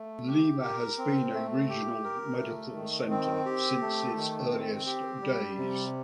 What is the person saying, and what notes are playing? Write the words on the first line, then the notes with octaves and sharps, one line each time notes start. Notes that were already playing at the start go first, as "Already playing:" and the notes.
Lima has been a regional medical center since its earliest days.
Already playing: A3
G4
A#4
C4
A3
G4
A#4
A3
D#3
C4
G4
A3
D#3
C4
G4
G3
C3